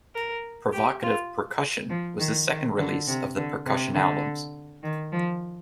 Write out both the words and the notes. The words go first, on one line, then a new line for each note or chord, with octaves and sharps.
"Provocative Percussion" was the second release of the "Percussion" albums.
A#4
G4
F4
F3
D#3
D#3
D3
C3
D3
C3
D3
D#3
F3